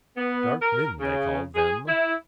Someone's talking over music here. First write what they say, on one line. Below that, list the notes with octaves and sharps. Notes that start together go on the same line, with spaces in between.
Dark men they call them.
B3
A#4
C#3
G#4
E4